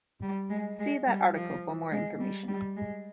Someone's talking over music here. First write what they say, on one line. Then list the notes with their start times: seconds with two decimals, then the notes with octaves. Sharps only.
See that article for more information.
0.22 G3
0.50 G#3
0.79 G#3
1.07 G3
1.35 F3
1.91 G#3
2.20 G3
2.48 G3
2.77 G#3